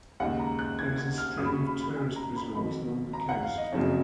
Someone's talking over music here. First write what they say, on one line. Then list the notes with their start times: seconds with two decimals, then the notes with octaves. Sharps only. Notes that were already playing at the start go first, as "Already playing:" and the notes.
There is a string of tourist resorts along the coast.
0.20 D#2 C#3 G#3 F#5
0.39 A#5
0.59 F#6
0.79 G#6
0.98 G#6
1.18 F6
1.38 D#2 C#3 F#3 D#6
1.45 B5
1.52 C#6
1.67 B5
1.82 B5
1.96 G#5
2.16 A#5
2.36 B5
2.55 F2 D#3 F#3 B5
3.13 A#5
3.29 F#5
3.43 F5
3.58 D#5
3.72 F#1 F2 C#3 F#3 C#5